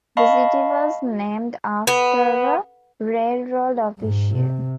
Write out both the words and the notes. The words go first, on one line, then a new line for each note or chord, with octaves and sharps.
The city was named after a railroad official.
D#5 F5 A5 B5 C#6
B3
G#2
C3